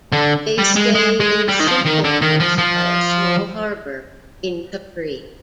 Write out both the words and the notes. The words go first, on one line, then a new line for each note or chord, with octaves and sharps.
They stay in a simple house by a small harbour in Capri.
D3
G3
G#3
G#3
G#3
G3
D#3
F3
D#3
D3
D#3
F3
F3